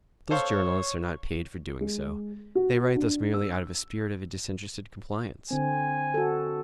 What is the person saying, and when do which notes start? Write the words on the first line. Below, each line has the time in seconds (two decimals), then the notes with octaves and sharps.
Those journalists are not paid for doing so: they write thus merely out of a spirit of disinterested complaisance.
0.30 A4 C5 C#5 F5
1.81 G#3
2.55 F#4
2.96 D4
3.34 E6
5.51 D3 C4 G#5
6.14 F#4 A4